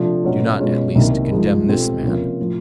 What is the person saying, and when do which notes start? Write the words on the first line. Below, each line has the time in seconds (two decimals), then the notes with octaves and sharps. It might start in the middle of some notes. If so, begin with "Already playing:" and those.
Do not, at least, condemn this man!
Already playing: C3 F3 A3 D4
0.24 B2 F#3 A3 C#4 F#4
0.60 B2 G#3 C#4 F4
0.95 C2 C3 D#3 F#3 A#3
1.32 G#2 F3 G#3
1.67 B2 G3 C4 F4 A4
2.03 C3 F3 A#3 C#4 F4
2.40 A2 F3